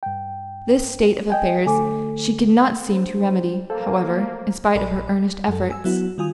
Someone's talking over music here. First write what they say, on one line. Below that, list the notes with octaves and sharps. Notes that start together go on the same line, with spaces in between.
This state of affairs she could not seem to remedy, however, in spite of her earnest efforts.
G2 G5
D#5 G5 G#5
D3 A3 A4 G#5 D6
D4 C5
A#3 A4 C5 F5
A3
A#1 A4 D5 D#5 B5
D5
F#2 A4
G#5 E6
F#3 B3 E4 F#4
D#3 G3 F4 G#5 D#6